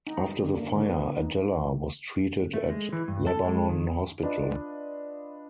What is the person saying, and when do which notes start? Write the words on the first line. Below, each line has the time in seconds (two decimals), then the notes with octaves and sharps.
After the fire, Adella was treated at Lebanon Hospital.
0.07 D#4
0.29 G3
0.44 D3
0.57 A#3
0.75 D3
0.89 B3
1.19 D#4
2.54 A3
2.70 G#3
2.93 E3
3.08 G2
3.27 A4
3.44 G#3
3.69 D#3
4.23 D4 F4 B4 D#5